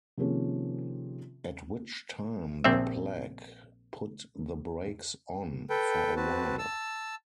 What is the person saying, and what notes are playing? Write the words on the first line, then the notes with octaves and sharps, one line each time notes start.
At which time the plague put the brakes on for a while.
C3 D#3 F3 A#3 C#4 G#4
A#1 C4 E5
A4 B4 G5
C4 F#4 B4 A5
A5 E6